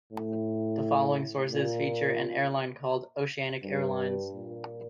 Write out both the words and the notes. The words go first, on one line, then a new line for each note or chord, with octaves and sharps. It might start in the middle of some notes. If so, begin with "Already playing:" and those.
The following sources feature an airline called Oceanic Airlines.
A2
A#2
G2
A#2